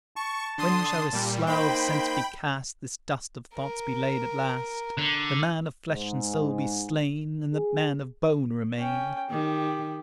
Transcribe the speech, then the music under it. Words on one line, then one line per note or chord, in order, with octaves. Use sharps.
"When shall this slough of sense be cast, This dust of thoughts be laid at last, The man of flesh and soul be slain And the man of bone remain?"
A5 C#6
D3 C6 D#6
A#2 G3
A#3 D#4 C5 G5 B5
A#4
D3
G#2
G#4
C#4 G5
D#3 G4